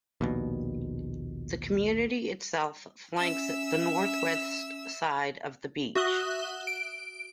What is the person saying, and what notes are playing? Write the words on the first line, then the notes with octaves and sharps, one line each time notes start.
The community itself flanks the northwest side of the beach.
A#1 D#2 B2
C#4 E5 E6
F#4 E5 D#6 F#6 G7
D7